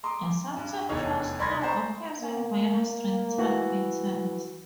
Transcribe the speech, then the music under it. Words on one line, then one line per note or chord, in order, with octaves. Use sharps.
The Celtic cross now appears in various retail items.
A#5 C6 D6 D#6
G2
F1 E2 E3 D#4 G#4 C#5
C2 D5 B5 C6 G#6 A#6
C5 D5 A#5 B5 C#6
A#3
E3 F#4